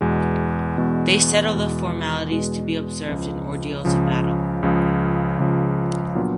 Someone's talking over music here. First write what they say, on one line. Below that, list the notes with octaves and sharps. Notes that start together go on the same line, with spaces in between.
They settle the formalities to be observed in ordeals of battle.
E2 B2 G#3
E2 B2 G#3
E2 B2 G#3
E2 B2 G#3
C#2 C#3 F3
C#2 C#3 F3
C#2 C#3 F3
C#2 C#3 F3
A#2 F#3 B3 D4 F4